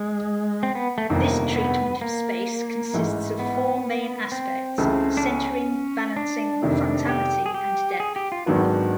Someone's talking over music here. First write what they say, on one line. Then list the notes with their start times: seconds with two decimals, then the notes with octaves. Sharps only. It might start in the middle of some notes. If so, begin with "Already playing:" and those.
This treatment of space consists of four main aspects: centering, balancing, frontality, and depth.
Already playing: G#3
0.63 C4
0.75 B3
0.98 A3
1.10 G1 F2 C3 D#3 A#3
1.56 B3
2.01 A#3
2.93 A1 G#2 E3
3.39 B3
4.32 C4
4.78 C#2 C#3 E3 A3
5.17 D4
5.23 C#4
6.16 D4
6.62 F1 F2 C3 D#3
7.09 G4
7.46 G#4
7.54 G4
8.00 G#4
8.16 G4
8.32 F4
8.46 G#1 G#2 D#3 F#3 B3 D4